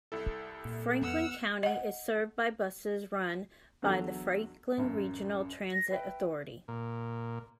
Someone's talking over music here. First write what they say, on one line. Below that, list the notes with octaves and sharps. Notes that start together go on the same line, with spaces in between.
Franklin County is served by buses run by the Franklin Regional Transit Authority.
C2 E4 A4
A#2
F2 B3 F#5 E6 F6
D#5 F#5
E2 D3 F#3 A4 A#5
A1 F#2
A#6
B4 E5 G5
A#2